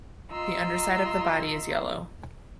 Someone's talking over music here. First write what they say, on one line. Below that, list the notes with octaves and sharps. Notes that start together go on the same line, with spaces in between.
The underside of the body is yellow.
F4 D#5 A#5 C6 E6